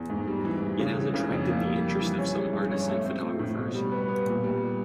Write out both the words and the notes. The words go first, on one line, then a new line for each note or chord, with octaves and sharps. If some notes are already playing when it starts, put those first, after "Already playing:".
It has attracted the interest of some artists and photographers.
Already playing: E2
G#2
G3
E3
G#2
C#3
E3
C#3
F2
A#3
G3
G3
E3
C#4
G#3
G2
C#4
A3
C4
A3
A2
B2
G3
B3
B3
A#2
G3